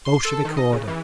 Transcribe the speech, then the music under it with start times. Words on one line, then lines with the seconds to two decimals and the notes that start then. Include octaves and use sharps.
Bolshevik order.
0.05 C6
0.25 A4
0.45 D#3
0.57 D#5
0.72 C#3
0.88 E3